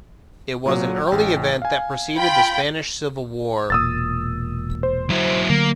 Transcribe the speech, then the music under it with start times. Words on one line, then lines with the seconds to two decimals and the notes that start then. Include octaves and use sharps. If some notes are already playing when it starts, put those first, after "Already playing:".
It was an early event that preceded the Spanish Civil War.
0.66 A#2 F#3
1.07 A1 G5
1.62 F5 G#5
2.17 F4 G5 B5
3.70 E1 A#2 D#6 E6 A6
4.83 C5
5.10 F#3 E4
5.49 D3 F#3 A3 A#3